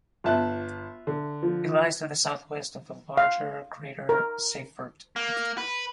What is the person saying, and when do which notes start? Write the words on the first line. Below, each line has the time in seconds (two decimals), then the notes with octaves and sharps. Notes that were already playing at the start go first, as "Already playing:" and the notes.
It lies to the southwest of the larger crater Seyfert.
0.24 G1 F4 E5 A5 F#6
1.07 D3
1.43 F3
3.17 F5
4.09 A#4
5.16 A#3
5.58 B4